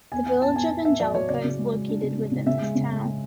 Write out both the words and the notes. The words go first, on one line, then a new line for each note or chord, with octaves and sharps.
The village of Angelica is located within this town.
E2 G#5
E2 G#5
E2 A5
E2 G#5
E2
E2 E5
F#3 D5
F#3 C#5
C#3 D5
C#3
G#3
G#3
D4
C#3
C#3
C#3
C#3 E5
G#3
C#3
G#3
G#3